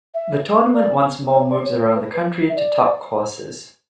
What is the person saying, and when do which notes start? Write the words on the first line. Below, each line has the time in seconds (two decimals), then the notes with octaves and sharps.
The tournament once more moves around the country to top courses.
0.14 E5
0.74 D5
1.34 C#5
1.50 D5
1.65 C#5
1.81 C#5
1.95 B4
2.49 E5
2.56 D5